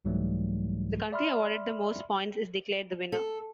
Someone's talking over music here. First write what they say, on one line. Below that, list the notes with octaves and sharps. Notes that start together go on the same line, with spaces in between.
The country awarded the most points is declared the winner.
C2 G#2 E3 F#3 G3 A3
D5 E5 B5 C6 F6
A4